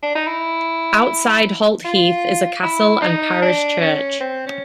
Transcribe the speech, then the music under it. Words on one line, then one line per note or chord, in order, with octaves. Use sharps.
Outside Holt Heath is a castle and parish church.
D4
D#4
E4
F4
E4
D#4
D4
C#4
C4
C#4